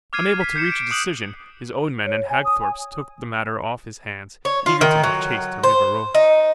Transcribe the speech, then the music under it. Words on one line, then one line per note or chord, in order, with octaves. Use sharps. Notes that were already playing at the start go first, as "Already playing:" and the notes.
Unable to reach a decision, his own men and Hagthorpe's took the matter off his hands, eager to give chase to Rivarol.
D6 F6 G#6 C7 D#7
G#6 B6
G6 C7 C#7 E7
D7
D6 D#6 F#6 C7 F#7
C#5
G#5
D#6
G#5
C#5
F4
D#3
F#3
C5
D#4